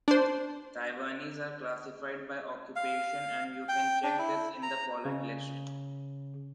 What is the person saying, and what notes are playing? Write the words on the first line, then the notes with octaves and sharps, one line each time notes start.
Taiwanese are classified by occupation, and you can check this in the following list.
D4 C5
F5
G5
D4
E4
A#5
C#3